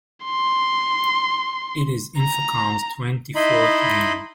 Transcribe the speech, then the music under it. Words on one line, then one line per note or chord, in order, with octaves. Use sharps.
It is Infocom's twenty-fourth game.
C6
A#5
D#4 E4 D#5 B5 C6